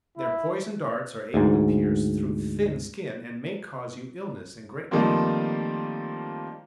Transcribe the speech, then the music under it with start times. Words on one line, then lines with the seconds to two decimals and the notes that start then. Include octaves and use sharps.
Their poison darts are able to pierce through thin skin, and may cause you illness and great pain.
0.18 E4
1.34 D2 G#2
4.91 D#3 F3 G3 A3 A#3 C4